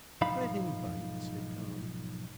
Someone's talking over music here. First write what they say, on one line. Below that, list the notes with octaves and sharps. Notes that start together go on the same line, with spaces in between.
"Let him bite," said Tom.
B1 G#2 F3 D#4 F5 B5